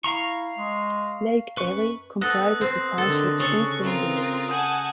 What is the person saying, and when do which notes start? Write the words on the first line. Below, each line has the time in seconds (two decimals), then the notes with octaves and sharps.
Lake Erie comprises the township's eastern border.
0.04 E4 F5 A#5 C#6
0.57 G#3
1.57 F#2 B4 C#6
2.21 B3 A4 D#6 F#6 A#6
2.61 C4
2.98 D3 D#3 A4
3.39 C#3 A4 C#6
3.81 C4 F4 A#4
4.49 F#5 G#5 A5 D#6 G6